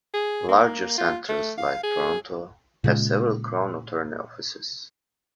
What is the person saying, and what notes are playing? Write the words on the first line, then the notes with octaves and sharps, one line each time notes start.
Larger centres like Toronto have several Crown Attorney Offices.
G#4
A#3
F4
A3
F5
G#4
A#2 C#3 G#3